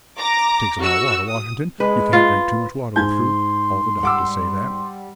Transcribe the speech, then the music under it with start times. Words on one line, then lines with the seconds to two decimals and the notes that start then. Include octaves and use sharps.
Take some more water, Washington--you can't drink too much water with fruit--all the doctors say that.
0.18 A#5 D6 A#6
0.80 F#4 C#6 E6
1.27 D#6
1.80 G#3 B4
2.13 F4
2.96 G#2 G#5 C6 G6 G#6
4.03 G3 F#5 D6 E6